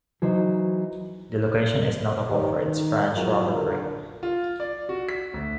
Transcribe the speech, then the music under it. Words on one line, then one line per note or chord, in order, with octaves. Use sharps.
The location is notable for its role in French rocketry.
E3 F#3 D#4 C5
D#2 D#3 G4 C5 C#5
D#3
F2 F#3 E4 F4 G#4 A#4
A#2 D3 D#3 A#3
F4
D5
F#4
B6
D2